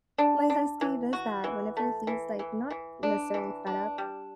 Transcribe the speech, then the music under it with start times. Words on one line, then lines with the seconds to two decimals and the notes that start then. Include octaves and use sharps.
my Husky does that whenever he's, like, not necessarily fed up,
0.18 D4
0.50 D4
0.81 E3
1.13 F#4
1.44 E3
1.77 A3
2.07 E3
2.39 E3
2.70 E3
3.03 D4
3.34 E3
3.67 D4
3.98 G3